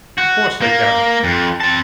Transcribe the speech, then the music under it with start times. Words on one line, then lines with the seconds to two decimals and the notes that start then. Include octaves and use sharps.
Of course they can.
0.18 F#4
0.61 A#3
1.24 F2
1.61 C4 A5